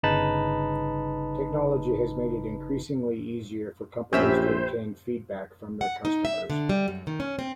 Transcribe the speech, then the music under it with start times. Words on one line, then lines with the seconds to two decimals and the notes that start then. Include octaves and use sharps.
Technology has made it increasingly easier for companies to obtain feedback from their customers.
0.03 G1 C#3 D#4 B4 A5 B5
4.13 A#1 F#2 G4 C5 E5 B5
5.81 F#5
6.05 D#4
6.25 E5
6.50 D3
6.69 G3
6.88 F#2
7.07 D#3
7.20 C#4
7.39 C4